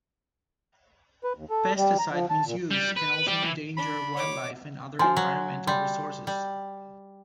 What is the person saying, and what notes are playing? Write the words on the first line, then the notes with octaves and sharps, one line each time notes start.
Pesticide misuse can also endanger wildlife and other environmental resources.
B4
D#2
A4
G3
A#5
F3
A5
A#2
G3
B4
G4 D5
E3
D4 B5
C#5 D6
F3 F#4 G#5 C6
F#3
G3 C6
G3